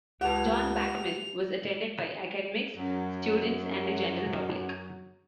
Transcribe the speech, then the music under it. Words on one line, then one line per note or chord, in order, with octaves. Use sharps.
John Bachman was attended by academics, students, and the general public.
C#2 G4 B4 F#5 A5 F7
F#2 F#3